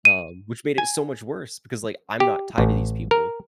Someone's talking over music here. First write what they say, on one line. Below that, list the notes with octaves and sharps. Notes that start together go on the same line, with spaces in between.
um, which made it so much worse because, like, I'm not tied to these people
D#7
G#5
G4
A1
A#4